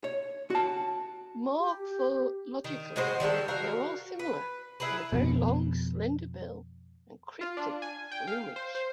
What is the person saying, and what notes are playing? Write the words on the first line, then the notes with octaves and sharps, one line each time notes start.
Morphologically, they are all similar, with a very long slender bill and cryptic plumage.
C#5
F#4 A5
G4
D#3
A2 G#3 F#4 C5
D#3 G3 G#3 A4
F#4 A#4 F5
B4
E4 G#4 A#4 B4
F2 B2
F4
D4
G#5
G5
F5
C5
C5